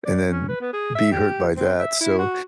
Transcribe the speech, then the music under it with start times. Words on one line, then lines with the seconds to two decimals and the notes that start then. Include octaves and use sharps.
and then be hurt by that, so,
0.05 D5
0.31 C#4
0.48 B4
0.61 B3
0.73 G#4
0.95 E5
1.12 G4
1.56 C4
1.79 E5
2.01 E4
2.19 F#4